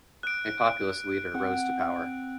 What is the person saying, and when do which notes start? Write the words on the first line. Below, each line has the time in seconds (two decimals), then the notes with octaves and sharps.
A populist leader rose to power.
0.23 D#6 F#6 D7
1.35 C4 F#5 E6